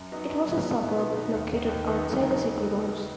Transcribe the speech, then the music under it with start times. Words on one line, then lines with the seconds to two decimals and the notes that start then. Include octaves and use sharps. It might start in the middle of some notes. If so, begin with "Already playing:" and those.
It was a suburb, located outside the city walls.
Already playing: F#2
0.12 F#3 B3 D#4
0.29 F#2
0.47 F#3 B3 D#4
0.64 B2
0.81 B3 D#4
0.98 B2
1.17 B3 D#4
1.34 D#2
1.50 D#3 B3 D#4
1.68 D#2
1.85 D#3 B3 D#4
2.03 F#2
2.20 C#3 F#3 B3 D#4